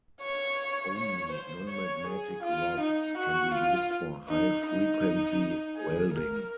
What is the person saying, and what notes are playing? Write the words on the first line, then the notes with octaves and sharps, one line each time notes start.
Only non-magnetic rods can be used for high-frequency welding.
C#5
C#5
C5
C#5
G#4
F4
D#4
F#4
F4
D#4
D#4
G#4
A#4